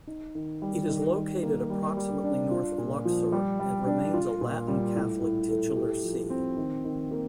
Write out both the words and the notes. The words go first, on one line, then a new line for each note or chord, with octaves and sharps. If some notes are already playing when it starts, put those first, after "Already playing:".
It is located approximately north of Luxor and remains a Latin Catholic titular see.
D#4
D#3
G3
D#3
D#3
A#3
G3
G3
D4
F4
A#2
F3
G3
G3
D4
F4
A#2
G3
A2
A2
A3
G4
F3
C4
D#3
D#3
A#3